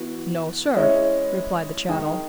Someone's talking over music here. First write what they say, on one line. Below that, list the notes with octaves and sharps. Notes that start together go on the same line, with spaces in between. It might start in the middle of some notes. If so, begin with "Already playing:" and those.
"No, sir," replied the chattel.
Already playing: E3 B3 F#4
G#3 C#4 E4
D#3 G#3 D#4